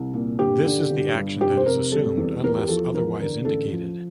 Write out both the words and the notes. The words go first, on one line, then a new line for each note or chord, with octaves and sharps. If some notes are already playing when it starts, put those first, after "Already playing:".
This is the action that is assumed unless otherwise indicated.
Already playing: C2
A#2
G1 G4
D3
G1
G2
F1 G4
C5
C3 A#4
G3 A4
E2
E2 A#4
G4
F3 A4
E2 A#4
D3 A#4
A1 A4
F3